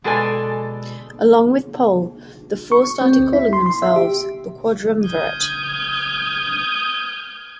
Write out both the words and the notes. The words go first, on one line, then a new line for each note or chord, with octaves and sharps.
Along with Pohl, the four started calling themselves the "Quadrumvirate".
B2 G#3 A4 D5 G#5
C#6
C4
D2
E4
C6
C6
E5
G4
D#6 F6 G6 G#6